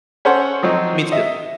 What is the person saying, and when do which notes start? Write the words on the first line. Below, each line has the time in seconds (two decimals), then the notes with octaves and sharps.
Me too.
0.25 C#4 A4 C5 C#5 F#5
0.63 F3 F#3 C4 D#4
1.12 D#5 E5